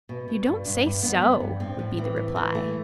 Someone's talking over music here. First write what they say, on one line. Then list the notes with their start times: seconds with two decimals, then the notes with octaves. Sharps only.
"You don't say so," would be the reply.
0.09 B2
0.28 B2
0.47 G2
0.66 G2
0.84 G2
1.03 G2 B3
1.22 G2
1.40 G2
1.60 A2 C4
1.79 A2
1.98 E3
2.16 A2
2.36 E3
2.55 A3